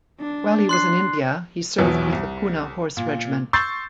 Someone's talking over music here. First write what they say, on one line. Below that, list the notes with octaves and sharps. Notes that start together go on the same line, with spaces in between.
While he was in India he served with the Poona Horse regiment.
D4
C6 F#6 C7
A#1 E2 B2 E3 F#3
C2
A#2
C6 C#6 E6 G6 A6 C7